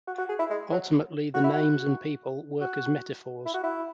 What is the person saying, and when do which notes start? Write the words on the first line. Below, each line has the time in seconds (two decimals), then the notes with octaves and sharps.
Ultimately the names and people work as metaphors.
0.08 F#4
0.18 F#4
0.29 G#4
0.39 E4
0.50 G#3
0.71 F#3
1.34 F#4
1.44 E4
1.53 F#4
2.61 F#4
3.45 E4
3.54 F#4
3.63 E4